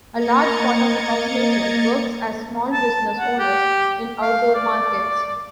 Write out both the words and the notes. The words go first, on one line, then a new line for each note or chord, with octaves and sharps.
A large part of the population works as small business owners in outdoor markets.
A#3 D#5 A#5 G#6 A6 C#7
A5
F#5
G4
F5
D5